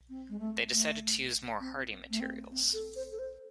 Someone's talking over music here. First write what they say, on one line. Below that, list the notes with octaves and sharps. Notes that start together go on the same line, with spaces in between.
They decided to use more "hearty" materials.
C4
G#3
A3
A3
C4
A3
C4
C4
A4
C5
A4
C5